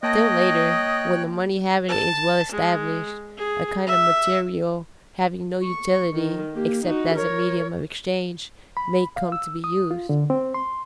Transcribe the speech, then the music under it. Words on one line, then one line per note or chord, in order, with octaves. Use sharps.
Still later, when the money habit is well established, a kind of material having no utility except as a medium of exchange may come to be used.
A#3 C#5 D#5 G5 A5 F#6 A#6
A5
G#3
G#4
E5
C#6
D#3
A#3 G4
D#4 F#4
A#4 C#5
B5
F5
E6
D#6
F4
D3
C4
C6